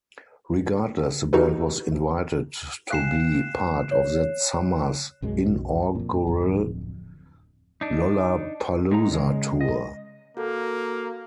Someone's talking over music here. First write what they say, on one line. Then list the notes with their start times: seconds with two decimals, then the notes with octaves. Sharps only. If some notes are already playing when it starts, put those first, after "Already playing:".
Regardless, the band was invited to be part of that summer's inaugural Lollapalooza tour.
1.33 D#4 F#4 G4 A4 B4
2.90 F5 G5 G#5 F#6 C7 E7
3.91 C#5
5.22 B1 F#2 C#3 G#3
5.95 F2 A#2
6.27 D1 F2
7.81 D4 D#4
8.91 A2 G#3 D#4 A#5
9.11 C#3 G#3
9.61 D#5
10.37 A#3 F#4 A4